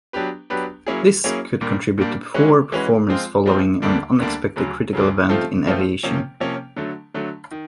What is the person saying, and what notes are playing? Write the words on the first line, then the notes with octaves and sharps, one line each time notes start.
This could contribute to poor performance following an unexpected critical event in aviation.
F#3 B3 D4 G4 B4
F#3 B3 D4 G4 B4
F#3 A#3 C#4 E4 G#4
F#3 A#3 C#4 E4 G#4
A#2 G3 A#3 D4
A#2 G3 A#3 D4
E3 G#3 C#4 F#4 B4
E3 G#3 C#4 F#4 B4
F3 G#3 C4 F4
F3 G#3 C4 F4
D2 D3 G3 A#3 D4
D2 D3 G3 A#3 D4
D2 C#3 F#3
D2 C#3 F#3
F3 A3 C4 F4 A4
F3 A3 C4 F4 A4
C3 F3 A#3 C#4
C3 F3 A#3 C#4
D3 F#3 A3
D3 F#3 A3
D#3